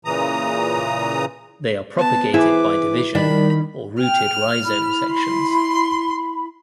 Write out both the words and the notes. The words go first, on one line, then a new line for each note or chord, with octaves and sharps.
They are propagated by division or rooted rhizome sections.
A#2 C#3 E3 A#5 D#6
B3 A5
E3 E4 G#4 B4 C5 D6
D#3 G3 D4 B5
G5 F6
E4 B5
C6